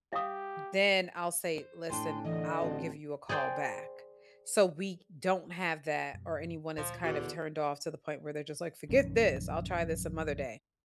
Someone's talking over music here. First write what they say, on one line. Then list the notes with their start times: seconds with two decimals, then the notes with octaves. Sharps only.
then I'll say, "Listen, I'll give you a call back." So we don't have that or anyone is kind of turned off to the point where they're just, like, "Forget this, I'll try this some other day,"
0.13 G4 E5 F5 D#6
1.56 C5
1.90 A2 D4 G5 G#5 C6
2.25 D3 E3 D#5
2.61 A1 C4 F#4 A4
3.29 G#4 C5 D5 G5
6.14 F#2 B2 G3
6.77 D2 A#2 F3
7.04 E2 D3 F#4
8.89 A#1 F#2 D#3 C#4